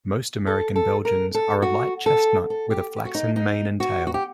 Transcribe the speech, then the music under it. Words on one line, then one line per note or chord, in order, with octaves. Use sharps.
Most American Belgians are a light chestnut with a flaxen mane and tail.
A4
A4
A#4
A4
F#4
A4
A4
G4
G4
F#4
D#4
D#4
F#4
F#4
G4